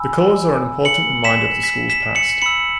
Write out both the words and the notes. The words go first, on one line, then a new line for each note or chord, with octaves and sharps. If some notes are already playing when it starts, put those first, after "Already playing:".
The colors are an important reminder of the school's past.
Already playing: G#5 B5 E6
C#7 F#7
B6 E7
B6
B6 E7
C#7 F#7
B5 E6 C#7 F#7